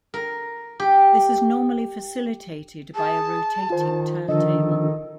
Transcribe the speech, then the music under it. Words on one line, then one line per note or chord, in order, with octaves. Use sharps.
This is normally facilitated by a rotating turntable.
A#4
G4
G#4 A5
D#3 F4 C5
D3 D#3 F3 A4 D#5